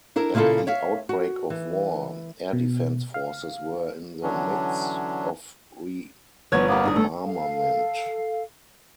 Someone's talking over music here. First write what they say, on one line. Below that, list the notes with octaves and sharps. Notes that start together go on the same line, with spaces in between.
At the outbreak of war, air defence forces were in the midst of rearmament.
D4 E4 A#4
A#2 C#3 A#3 E4 F4 A4
C#5 E5 F5
F#4
E3
B2
F5
D3 E3 F#3 C#4 D4
G1 F3 B3 C#5 G#6
A#3 B3 C#4 G4
D4 D#4 G#4
A3 A4
A4 F5